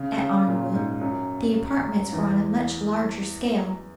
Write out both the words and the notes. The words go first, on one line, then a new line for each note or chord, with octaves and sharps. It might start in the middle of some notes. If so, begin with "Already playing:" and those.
"At Arnwood; the apartments were on a much larger scale."
Already playing: C#3
C#3
A#2
G#2
F#2
E2